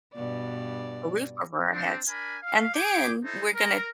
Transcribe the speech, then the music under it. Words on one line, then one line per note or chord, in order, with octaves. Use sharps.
a roof over our heads, and then we're gonna,
G2 B2 D5
C4 D4
D4 A#4 G#5 B5
F5
G#4 G5 D6
D#4 E4 A4 C5
A#4